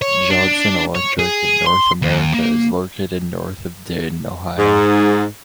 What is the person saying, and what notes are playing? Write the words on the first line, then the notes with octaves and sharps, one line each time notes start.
Johnson Electric in North America is located north of Dayton Ohio.
C#5
D4
C#5
G#4
C6
D#2
A#3
G#2